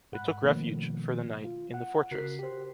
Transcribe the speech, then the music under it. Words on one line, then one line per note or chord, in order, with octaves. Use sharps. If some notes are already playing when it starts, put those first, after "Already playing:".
They took refuge, for the night, in the fortress.
G#2 F#5 B5 F#6
B2 D#3 F3 A3 A#3 C4
F4
F#5
C#3 F#4 A#4 F#6 B6 C7
G4 C5